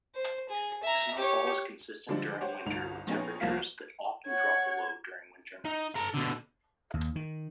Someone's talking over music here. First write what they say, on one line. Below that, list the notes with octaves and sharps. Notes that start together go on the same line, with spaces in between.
Snowfall is consistent during winter, with temperatures that often drop below during winter nights.
C5
G#4
E5 A#5
G4 C#5
D3 F3 G3 G#3 D4
G4 C5 C#5 F#5
G1 C2 D#4 F7
A#1 B3 C#4 D#4 G#4 C#5
C2 F3 A#3 F5
C#5 F#5 G#6
D#4
A4 A#5
B2 D3
D#2
D#3